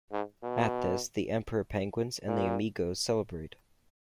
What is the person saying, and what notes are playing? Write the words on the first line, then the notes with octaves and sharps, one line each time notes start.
At this, the emperor penguins and the Amigos celebrate.
G#2
B2
A#2